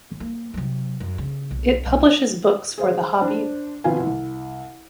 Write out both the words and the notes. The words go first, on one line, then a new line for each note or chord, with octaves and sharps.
It publishes books for the hobby.
A#3
C3 F#3
F#2
C#3
B1
B1
G#4 C5 F5
D4 C5
B2 F3 C4 B4 F5 G#5
C2